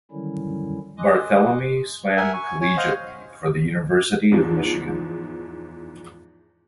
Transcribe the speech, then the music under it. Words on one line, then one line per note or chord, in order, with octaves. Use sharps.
Barthelemy swam collegiately for the University of Michigan.
D3 D#3 F#3 G3 C#4 E4
D#5 G#5 C6 D6 D#6 F#6
A#4 E5 F#5 G#5
G#5 C#6
C#5 G#5
C5 D#5 F5 F#5
E2 G#2 F3